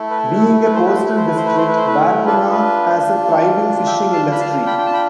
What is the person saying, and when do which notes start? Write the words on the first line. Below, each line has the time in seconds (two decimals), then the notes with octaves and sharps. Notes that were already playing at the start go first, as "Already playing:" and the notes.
Being a coastal district, Barguna has a thriving fishing industry.
Already playing: A3 E4 A4
0.10 B4
0.38 A4
0.64 B4
0.74 C5
0.85 B4
0.95 C5
1.06 B4
1.16 C5
1.27 B4
1.37 C5
1.46 B4
1.57 C5
1.68 B4
1.77 C5
1.87 B4
2.25 D4 F4 A4 B4
2.37 A4
2.51 B4
3.86 E5 G5
4.12 F5 A5
4.32 B5
4.39 F5 A5
4.66 G5 B5
4.78 G5
4.86 A5
4.93 G5 B5